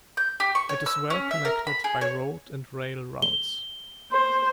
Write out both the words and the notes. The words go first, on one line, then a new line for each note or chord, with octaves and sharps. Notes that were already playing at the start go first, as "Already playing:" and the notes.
It is well connected by road and rail routes.
G6
G4
C#6
C#5
E6
C#4
E5
A#4
B5
G#4
C#5
G7
C5